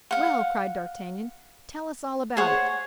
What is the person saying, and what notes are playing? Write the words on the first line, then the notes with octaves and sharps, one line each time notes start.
"Well!" cried d'Artagnan, "tell us all about it."
F5 F#5
G#4 C5 C#5 F#5